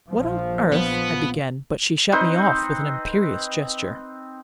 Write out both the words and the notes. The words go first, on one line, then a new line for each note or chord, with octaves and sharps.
"What on earth--" I began, but she shut me off with an imperious gesture.
A#1 F3
B3
C4 D#4 B4 C5